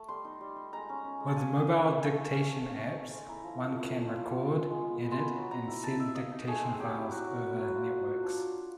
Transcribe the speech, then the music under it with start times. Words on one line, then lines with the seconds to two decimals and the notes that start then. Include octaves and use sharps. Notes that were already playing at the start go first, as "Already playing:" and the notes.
With mobile dictation apps, one can record, edit, and send dictation files over networks.
Already playing: A3
0.09 G3 C6
0.25 D#4
0.41 G3
0.56 D#4
0.73 G#3 A#5
0.89 C#4
1.05 C#4
1.20 G#3
1.28 A5
1.36 A#3 G#5
1.53 A#3
1.69 A#3
1.85 A#3
2.00 A3
2.16 A3
2.32 C#4
2.48 A3
2.64 D#4
2.80 D#4
2.97 D#4
3.12 G#3
3.28 E4 A#5
3.44 F3
3.60 A3
3.76 E4
3.92 A3
4.07 F4
4.24 F4
4.40 F4
4.56 G#3
4.71 G#3
4.88 B3
5.03 B3
5.12 C6
5.19 B3 B5
5.36 F#3
5.51 B3 A#5
5.68 E4
5.83 D#4 A5
5.99 D#4 E5
6.15 A#3 D#5
6.31 D#4
6.47 A3 G#4
6.63 C4
6.75 F#3 G4 G#4
6.95 E4
7.11 F#3 F#4
7.27 F#3
7.43 B3
7.59 F#3
7.75 F4
7.91 A#3
8.07 A#3
8.23 D4